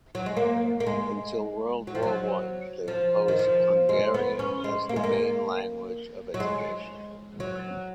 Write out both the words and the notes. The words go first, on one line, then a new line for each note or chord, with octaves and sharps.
Until World War One, they imposed Hungarian as the main language of education.
F#3
G#3
A#3
A#3
G#3
F#3
F3
F#3
F3
D#3
F3
G#3
B3
C#4
G#3
A#3
G#3
A#3
F#3
G#3
F#3